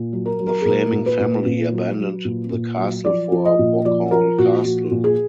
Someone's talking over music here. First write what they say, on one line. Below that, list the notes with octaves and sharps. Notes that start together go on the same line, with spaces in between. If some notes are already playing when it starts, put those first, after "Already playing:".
The Fleming family abandoned the castle for Boghall Castle.
Already playing: A#2
F#3
A#4
F#3
A#4
G#4
A#2 A#4
A#2
B4
A#2
A#2
F#3
F#3
A#2
A#2
F#3
F3 D5
F3
D#5
A#2
F3 D5
F3 A#4
A#2 F#4
F3 F#4
A#2
G#4